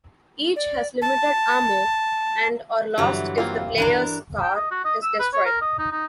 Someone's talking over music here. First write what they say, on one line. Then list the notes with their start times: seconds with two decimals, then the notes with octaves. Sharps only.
Each has limited ammo and are lost if the player's car is destroyed.
0.56 D5
1.02 A5
2.98 G1 E3 F#3 G3
3.38 A#3 C4 F4
3.78 E3 D4 A#4
4.43 G5
4.56 D#5
4.71 F#4
4.85 D#5
5.03 E6
5.19 B4
5.33 C#5
5.46 A#4
5.61 D#5
5.79 D#4
5.92 D#4